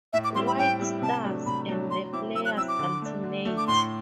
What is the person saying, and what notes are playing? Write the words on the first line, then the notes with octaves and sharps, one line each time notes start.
White starts, and the players alternate.
A2 E5
D6
G3 C4 E4 C6
B5
A2 G5
G3 C4 E4
C3 A5
F#3 A3 D4
C3 B5
F#3 A3 D4
F#3 C6
C4 E4 D6
F#3 E6
F#6
C4 E4 E6
D6
D3
A3 D4
D3
A3 D4
D6
A2 C6